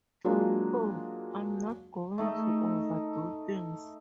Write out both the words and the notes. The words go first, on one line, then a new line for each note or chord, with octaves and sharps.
Oh, I’m not going to overdo things.
F#3 G#3 A#3 D4 F4
A3 D#4 A4 D#5